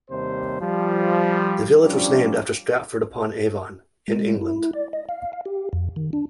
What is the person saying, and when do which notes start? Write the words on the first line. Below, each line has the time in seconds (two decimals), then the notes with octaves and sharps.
The village was named after Stratford-upon-Avon, in England.
0.11 D#2 C3 G3 C5
0.60 F3 G3
1.83 F3 G3 C#4 D4
4.08 G#3
4.41 E4
4.73 D5
4.93 D#5
5.09 F5
5.33 F5
5.45 G4
5.73 F2
5.96 D#3
6.13 D4